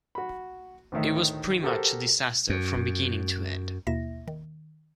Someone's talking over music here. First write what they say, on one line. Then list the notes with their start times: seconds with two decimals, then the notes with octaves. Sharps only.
It was pretty much a disaster from beginning to end.
0.15 F#4 B5
0.92 D2 A2 D#3 E5
1.63 F#4 G4 A4 A#4 C5
2.50 F#2
3.87 D#2 B2 A#3 E4 E5 A#6
4.28 D#3